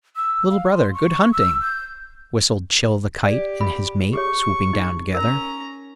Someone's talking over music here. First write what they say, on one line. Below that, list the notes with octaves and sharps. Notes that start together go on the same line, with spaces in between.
"Little Brother, good hunting!" whistled Chil the Kite and his mate, swooping down together.
E6
F5
C6
C#6
E6
G6
G4 D5
B5
G4 G#4 C#5 C#6
D#4 G#4
C#4 A#4 A#5